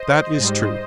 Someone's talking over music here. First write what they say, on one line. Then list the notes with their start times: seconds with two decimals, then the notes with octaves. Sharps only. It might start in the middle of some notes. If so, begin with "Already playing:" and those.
That is true.
Already playing: C5 D#5
0.38 G#2 G3